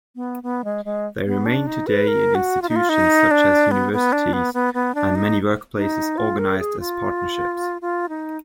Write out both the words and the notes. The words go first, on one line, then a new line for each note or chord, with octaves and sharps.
They remain today in institutions such as universities, and many workplaces organised as partnerships.
B3
B3
G#3
G#3
B3
D4
D#4
B4
A#4
F#4
F4
D#4
F4
D#4
D4
B3
B3
D4
B3
B3
B3
D4
D#4
D#4
F4
A#4
G#4
F4
F4
D#4